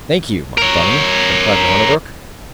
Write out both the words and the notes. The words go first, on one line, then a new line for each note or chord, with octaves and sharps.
"Thank you, my bunny," said Private Hornabrook.
A#4 C#5